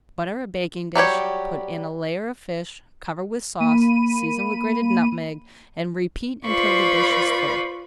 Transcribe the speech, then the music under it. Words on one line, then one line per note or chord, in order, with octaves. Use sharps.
Butter a baking-dish, put in a layer of fish, cover with sauce, season with grated nutmeg, and repeat until the dish is full.
F#3 G3 G4 C#5
A#3 B5 D#7
F4 B4 C5 D5 B5 C#6